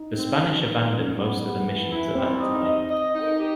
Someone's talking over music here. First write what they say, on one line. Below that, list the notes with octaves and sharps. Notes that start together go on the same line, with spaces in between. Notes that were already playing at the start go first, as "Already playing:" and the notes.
The Spanish abandoned most of the missions at that time.
Already playing: D#4
C4
F#3
B3
F#2
B3
B3
E3
E4
G3 C4
D#4
D#5
D#5
D#4
G4